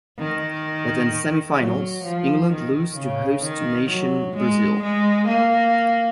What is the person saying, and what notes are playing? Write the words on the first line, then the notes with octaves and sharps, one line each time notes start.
But in the semi-finals, England lose to host nation Brazil.
D#3
F#3
F3
D#3
C#3
D#3
F#3
G#3
G#3
A#3